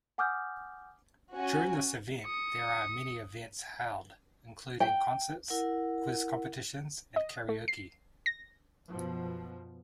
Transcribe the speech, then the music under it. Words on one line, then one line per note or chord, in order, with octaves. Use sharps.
During this event there are many events held including concerts, quiz competitions and karaoke.
F#5 G#5 D6 D#6 F6 G6
C#4 F#4 G#5
D#6 C#7
G5
E4 A#4 F#5
D#5
A3
C7
A#6
F#2 B2 F3